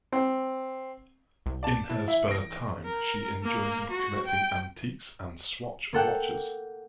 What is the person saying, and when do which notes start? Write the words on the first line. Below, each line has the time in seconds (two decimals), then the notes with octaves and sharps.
In her spare time, she enjoys collecting antiques and Swatch watches.
0.12 C4
1.46 C2
1.63 D5 A5
1.89 E3
2.08 E4
2.28 A#6 D7
2.86 A#4
3.43 A#3
3.91 F#4
4.27 G5
5.93 A#3 A4 F#5 G5